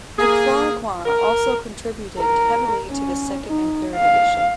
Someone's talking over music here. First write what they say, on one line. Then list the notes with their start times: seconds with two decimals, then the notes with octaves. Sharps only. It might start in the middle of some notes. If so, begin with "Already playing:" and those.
Macfarquhar also contributed heavily to the second and third edition.
0.19 A#3 G#4
1.06 A#4
2.19 A#4
2.90 C#4
3.46 D#4
3.96 F5